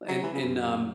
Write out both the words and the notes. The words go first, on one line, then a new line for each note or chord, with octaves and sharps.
and and, um,
F#3
E3
C#3
F#2